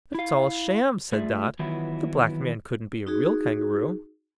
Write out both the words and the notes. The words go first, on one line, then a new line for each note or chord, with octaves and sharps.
"But it's all sham," said Dot; "the Black man couldn't be a real kangaroo."
E4 F5
A3 F4 G#4 D5 E5
D#3 E3 F#3 B3 E4 F4
D#4 F#4 G#4